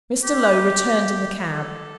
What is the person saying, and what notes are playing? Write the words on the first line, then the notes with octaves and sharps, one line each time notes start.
Mr. Lowe returned in the cab.
G4
A4